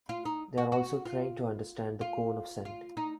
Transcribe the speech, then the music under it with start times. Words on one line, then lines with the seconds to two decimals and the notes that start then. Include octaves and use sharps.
They are also trained to understand the Cone of Scent.
0.09 F4
0.25 D#4
0.58 F#4
0.72 F#4
1.05 F4
2.01 F4
2.65 F4
2.97 D#4